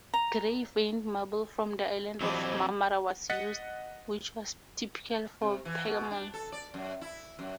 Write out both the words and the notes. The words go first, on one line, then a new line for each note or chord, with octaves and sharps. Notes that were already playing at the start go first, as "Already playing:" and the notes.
Grey-veined marble from the island of Marmara was used, which was typical for Pergamon.
A#5
F2 E3 F#3 G3 C4
D#5 F#5 F#6 A6 B6 C#7
C3
E3
B2
D4
A4
D5
F#2
E4
F#2